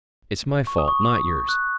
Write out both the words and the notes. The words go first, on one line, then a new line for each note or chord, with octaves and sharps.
It's my fault, not yours.
C#6
D#6
C#6
F#6